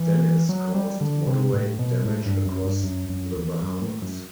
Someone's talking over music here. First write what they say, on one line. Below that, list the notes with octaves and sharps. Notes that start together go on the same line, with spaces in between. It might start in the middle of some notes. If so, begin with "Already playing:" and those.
Dennis caused moderate damage across the Bahamas.
Already playing: E3
F#3
G3
D3
C3
A2
B2
A2
G2
F#2
G2
F#2
F#2
E2
F#2
A2
F#2